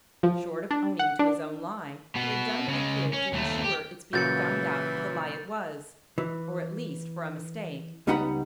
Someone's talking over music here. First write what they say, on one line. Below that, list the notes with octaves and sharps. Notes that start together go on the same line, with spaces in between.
Short of owning to his own lie, he had done what he could to insure its being found out for the lie it was--or, at least, for a mistake.
F3
D4
F#5
D4
B2 B3
C#3 G#3
C#4
D#2 A3
G4
A#2 C#3 E3 F#3 F#4 G6 A6 C#7
E3
C#2 G3 B3 D#4 F#5 B5